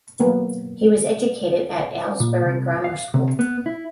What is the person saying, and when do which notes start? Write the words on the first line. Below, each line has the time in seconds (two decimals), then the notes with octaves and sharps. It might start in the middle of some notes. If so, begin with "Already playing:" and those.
He was educated at Aylesbury Grammar School.
0.20 F#3 A#3 B3
2.20 A#2
2.45 C2
2.84 F5
3.14 C3
3.39 B3
3.66 E4